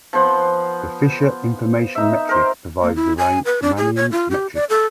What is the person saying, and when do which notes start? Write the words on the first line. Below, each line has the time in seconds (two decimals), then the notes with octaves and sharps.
The Fisher information metric provides the Riemannian metric.
0.13 F3 B3 C5 F#5
1.95 D#4 E5
2.29 A#4 C5
2.82 A#3
2.96 E4
3.18 G#5
3.45 B4
3.62 D4
3.77 G#4
3.96 C#5
4.11 F4
4.30 G4
4.55 D5
4.70 A4